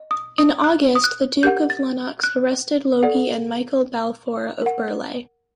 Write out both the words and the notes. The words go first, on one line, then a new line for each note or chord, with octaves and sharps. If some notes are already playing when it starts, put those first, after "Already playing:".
In August the Duke of Lennox arrested Logie and Michael Balfour of Burleigh.
Already playing: D#5
D#6
D#6
F#6
D#6
F#6
G4 A#4 F#5 G6
A6
F#6
A4 D5 F#5
A#4 F#5